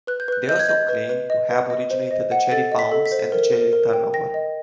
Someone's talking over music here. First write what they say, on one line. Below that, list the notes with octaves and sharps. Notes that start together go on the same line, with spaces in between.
They also claim to have originated the Cherry Bounce and the Cherry Turnover.
B4 F#6
G6
B4 F#6
D#5 G6
G#6
D#5 G6
B4
B4
D#5
B4
D#5
C5
D#5
F#5
A4 A6
D#5
B6
A4
B6
C5
A#4
A#4
A#4
G5
G5 A#6
D#5